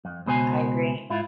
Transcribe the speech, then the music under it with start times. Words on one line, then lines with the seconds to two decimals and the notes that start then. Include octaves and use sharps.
I agree.
0.05 F2
0.26 C#2 B2 C5 G#5
1.10 G#2 E4 F4